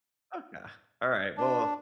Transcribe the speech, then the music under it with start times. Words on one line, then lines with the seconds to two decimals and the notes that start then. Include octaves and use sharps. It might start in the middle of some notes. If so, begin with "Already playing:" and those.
Okay. Alright, well
1.37 D4